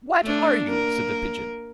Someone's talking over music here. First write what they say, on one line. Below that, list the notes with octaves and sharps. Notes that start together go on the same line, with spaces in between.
WHAT are you?' said the Pigeon.
A3 D4
A#3 A#4